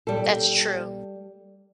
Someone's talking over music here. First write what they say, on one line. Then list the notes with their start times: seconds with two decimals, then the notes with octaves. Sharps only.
That's true,
0.07 G3 A4